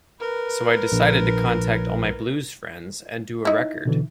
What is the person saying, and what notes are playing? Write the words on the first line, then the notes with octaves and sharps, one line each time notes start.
So I decided to contact all my blues friends and do a record.
A#4 B4
A#1
D#4 E4
B2 D3 E3